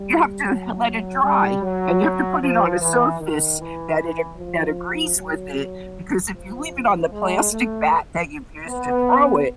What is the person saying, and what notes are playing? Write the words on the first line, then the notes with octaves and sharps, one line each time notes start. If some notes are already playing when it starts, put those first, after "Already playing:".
you have to let it dry and you have to put it on a surface that it a that agrees with it because if you leave it on the plastic bat that you've used to throw it
Already playing: G3
F#3
G3
F#3
F3
E3
D#3
E3
F3
F#3
F3
G#3
A3
B3